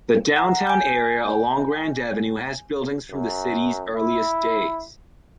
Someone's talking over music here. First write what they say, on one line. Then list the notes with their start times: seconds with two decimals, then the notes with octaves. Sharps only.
The downtown area along Grand Avenue has buildings from the city's earliest days.
0.36 F#5 A#5
0.67 G#5 G6
3.11 F#2
3.95 E4